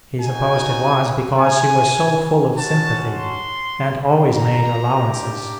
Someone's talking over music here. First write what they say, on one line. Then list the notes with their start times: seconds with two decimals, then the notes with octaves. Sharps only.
He supposed it was because she was so full of sympathy, and always made allowances.
0.19 A#3 D#4 F#4 G#5
1.37 G#5
2.54 G#3 C#4 F#4 A5
3.13 C6
4.30 A#5
4.90 A#3 D4 G4